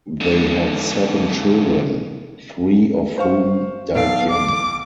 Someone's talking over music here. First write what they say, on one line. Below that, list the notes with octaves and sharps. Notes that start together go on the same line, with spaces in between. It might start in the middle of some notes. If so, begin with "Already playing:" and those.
They had seven children, three of whom died young.
G#2 D3
C5 F5 C#6
B1 A4 F5 D7
D6